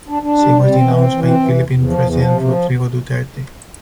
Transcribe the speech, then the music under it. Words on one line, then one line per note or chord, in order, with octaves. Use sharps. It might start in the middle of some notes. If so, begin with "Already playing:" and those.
She was denounced by Philippine president Rodrigo Duterte.
D4
D4
G3
G3
C4
E3
C4
E3
C4
E3
E2
E2
F3
E2
F3
C3
F3